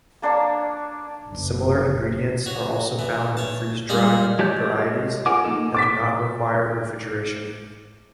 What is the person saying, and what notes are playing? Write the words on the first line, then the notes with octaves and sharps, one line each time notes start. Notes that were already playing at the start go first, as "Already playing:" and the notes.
Similar ingredients are also found in freeze dried varieties that do not require refrigeration.
A#3 D4 C#5 A5
F#1
F#4 C#5
E3
C#5 A5
G3 G#3 A#3 D5
G#3 G4 C#5 A5 G6
F4 A#4 F#5 G#5 D6
A#3 D4 D#4 A4
D6 A6 B6